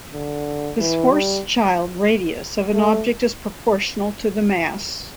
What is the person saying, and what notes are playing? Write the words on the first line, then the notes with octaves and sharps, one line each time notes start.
The Schwarzschild radius of an object is proportional to the mass.
D3
E3
G3
A3